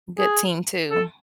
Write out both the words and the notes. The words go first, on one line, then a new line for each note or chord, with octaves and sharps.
Good team too.
G#4
A4